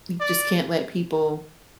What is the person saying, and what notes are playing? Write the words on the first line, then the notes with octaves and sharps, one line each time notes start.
you just can't let people
D5